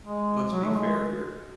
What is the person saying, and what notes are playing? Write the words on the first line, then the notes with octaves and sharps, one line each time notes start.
let's be fair here,
G#3
F#3
A3
G#3